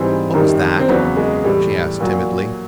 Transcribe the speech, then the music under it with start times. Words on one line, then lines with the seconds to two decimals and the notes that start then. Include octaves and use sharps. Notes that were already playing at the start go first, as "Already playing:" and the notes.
"What was that?" she asked timidly.
Already playing: G#2 E3 G3 C4
0.33 F#2 D#3 G3
0.79 C4
0.89 E2 C#3 F#3 B3
1.17 G#3
1.44 A2 E3 G3
2.00 A#2 F#3